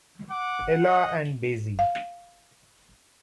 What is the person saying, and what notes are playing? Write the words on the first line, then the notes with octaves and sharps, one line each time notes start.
Ella and Basie!
F#5 D6
D#5
F5